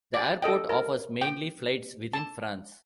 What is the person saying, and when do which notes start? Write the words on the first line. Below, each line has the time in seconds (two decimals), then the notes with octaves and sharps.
The airport offers mainly flights within France.
0.14 D5
0.42 A4 D#5 G5
0.69 A#4
1.21 G5
2.13 A5